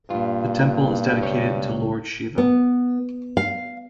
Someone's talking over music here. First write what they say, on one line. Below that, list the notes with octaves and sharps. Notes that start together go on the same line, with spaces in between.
The temple is dedicated to Lord Shiva.
G2 A#2 F4
C#2 B2 C#5
B3
F5